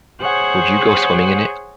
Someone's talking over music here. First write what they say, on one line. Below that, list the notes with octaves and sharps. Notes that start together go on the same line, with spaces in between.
would you go swimming in it?
G#4 C5 C#5 F#5 F#6 G6